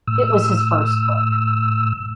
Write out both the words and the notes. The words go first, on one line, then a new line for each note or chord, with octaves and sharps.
It was his first book.
A2 E6